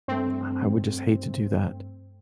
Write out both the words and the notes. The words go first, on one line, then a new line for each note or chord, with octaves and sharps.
I I would just hate to do that.
G2 A3 C4